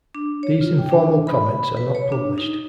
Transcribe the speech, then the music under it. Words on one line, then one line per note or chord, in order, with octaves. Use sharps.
These informal comments are not published.
D4
C#5
F4
G5
D4
B5
B4
C#5
D4
D#4